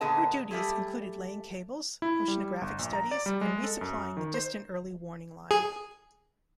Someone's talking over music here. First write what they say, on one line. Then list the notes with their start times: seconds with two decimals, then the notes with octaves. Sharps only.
Her duties included laying cables, oceanographic studies, and re-supplying the Distant Early Warning Line.
0.01 A#2 D3 B3 G#4 D#5 A5
0.51 G3 A3 G4 G#4
2.02 E4
2.28 G3
2.61 G1
2.79 A#1
2.93 A#5
3.11 D5
3.26 G3
3.41 G#3
3.64 A4
3.81 F#2
4.17 D#3
4.34 C5
5.51 G#4